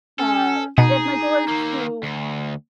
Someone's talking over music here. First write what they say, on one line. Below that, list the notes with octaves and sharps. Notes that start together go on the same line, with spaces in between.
uh, if my goal is to
C#4 A4
B2 D#4 G#4
D#3 A#3
D2